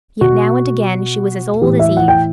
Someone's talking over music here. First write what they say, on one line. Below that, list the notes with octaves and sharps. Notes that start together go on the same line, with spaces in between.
Yet now and again she was as old as Eve.
B2 F#4
A2 E3 G4
E5
F#5
G5